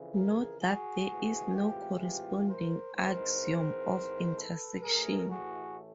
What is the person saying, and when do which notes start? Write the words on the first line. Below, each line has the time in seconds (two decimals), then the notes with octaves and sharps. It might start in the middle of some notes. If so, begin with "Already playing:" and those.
Note that there is no corresponding axiom of intersection.
Already playing: F2 C#3 E3
0.14 G#4 A#4
0.61 F#4 G#4
1.08 A1 A2 E3 G#3 C4
1.55 F4 G4
2.02 F4 G4
2.49 A#4 C5
2.95 G#2 E3 G#3 C4 A#4 C5
4.36 A4 B4
4.82 A1 A2 E3 A3 G#4 A#4
5.30 F#4 G#4